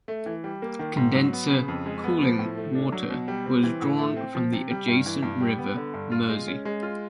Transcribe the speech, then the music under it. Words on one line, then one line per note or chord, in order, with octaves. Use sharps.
Condenser cooling water was drawn from the adjacent River Mersey.
A3
E3
G3
A#3
D#3
G#2
F#3
B3
C#3
F2
G#3
B3
F3
A2
A3
D4
F#3
B2
G3
C4
E3
A2
A3
C4
F3
C3
G3
G2
E3
G2
G3
B3
D3
G2
F4
G#3
C#4
G#3
F4